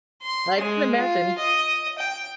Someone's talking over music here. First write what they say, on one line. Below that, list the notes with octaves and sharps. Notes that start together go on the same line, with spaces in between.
I can imagine.
C6
G#3
F4
D#5
G5